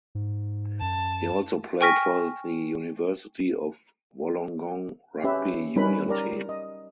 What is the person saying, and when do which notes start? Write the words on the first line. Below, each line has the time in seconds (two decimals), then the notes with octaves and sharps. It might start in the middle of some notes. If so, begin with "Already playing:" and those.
He also played for the University of Wollongong rugby union team.
0.15 G#2
0.82 F#2 A5
1.81 G5 G#5 C#6 F6 A#6 B6
5.24 C#4 G4 B4 E5
5.76 G3 C#4 D#4 A#4 B4 B5
6.08 G4 A#4 D5 A#5
6.49 D#5